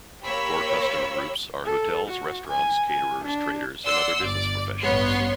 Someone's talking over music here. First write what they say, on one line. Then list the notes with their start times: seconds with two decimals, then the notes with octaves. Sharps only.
Core customer groups are hotels, restaurants, caterers, traders and other business professionals.
0.25 A#3 G4 C#5 B5 E6
1.64 A4
2.08 F#4
2.47 G#5
2.89 G#5
3.25 D4
3.85 D5 F#5 C6 E6
4.19 G1 D5
4.81 A1 G2 B3 C#5 C6